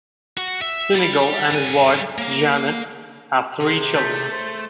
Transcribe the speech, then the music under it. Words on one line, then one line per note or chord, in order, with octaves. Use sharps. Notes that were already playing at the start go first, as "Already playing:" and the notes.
Sinegal and his wife, Janet, have three children.
F#4 F#5
E5
G3 B5
G3 G#5
A#3
C3 G#4
A3 G6 B6
C5